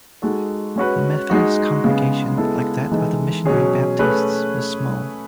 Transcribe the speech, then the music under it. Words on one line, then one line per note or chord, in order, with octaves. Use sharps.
The Methodist congregation, like that of the Missionary Baptists, was small.
G#3 D#4 F#4 A4
G#3 C#4 F#4 B4
G#3 D#4 F#4
C#3 G#3 B3
G#3 B3 E4 A4
E3 G#3 D#4 A4
B2 F#3 C#4 G#4
A3 C#4 G#4 B4